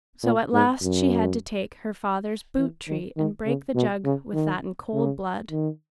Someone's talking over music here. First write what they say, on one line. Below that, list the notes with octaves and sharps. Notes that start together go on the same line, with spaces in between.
So at last she had to take her father's boot-tree and break the jug with that in cold blood.
A#2
G#2
F#2
E3
D#3
D#3
C#3
B2
C#3
D#3
C#3
D#3